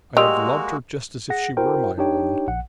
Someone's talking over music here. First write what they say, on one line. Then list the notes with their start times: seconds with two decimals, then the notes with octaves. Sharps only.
I have loved her just as if she were my own.
0.17 G3 G#3 A#3 F#4 D#5 C6 E6 F7
1.30 G#4 F#5 A#6
1.57 E4 F#4 A#4 C5 G5
1.98 D4 D#4 G4 C#5 G5
2.48 A#1 F#5